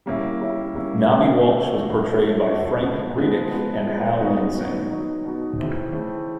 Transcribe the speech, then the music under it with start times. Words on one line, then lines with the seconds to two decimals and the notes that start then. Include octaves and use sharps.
Knobby Walsh was portrayed by Frank Readick and Hal Lansing.
0.06 G3 A#3 C#4 E4
0.41 G3 A#3 C#4 E4
0.75 G3 A#3 C#4 E4
1.10 G3 A#3 C#4 E4
1.45 F3 A3 D4 F#4
1.79 F3 A3 D4 F#4
2.13 F3 A3 D4 F#4
2.48 F3 A3 D4 F#4
2.82 F3 G#3 B3
3.17 F3 G#3 B3
3.51 F3 G#3 B3
3.86 F3 G#3 B3
4.20 B2 F#3 B3 D#4 F#4
4.55 B2 F#3 B3 D#4 F#4
4.89 B2 F#3 B3 D#4 F#4
5.24 B2 F#3 B3 D#4 F#4
5.58 C#3 E3 A3 C4
5.92 C#3 E3 A3 C4